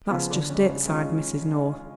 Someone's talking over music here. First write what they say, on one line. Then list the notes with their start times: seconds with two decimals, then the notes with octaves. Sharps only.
"That's just it," sighed Mrs. North.
0.10 C#3 F3 B3 F4
0.30 D3
0.50 G#3 C#4
0.68 C#3
0.88 G#3 C#4 F4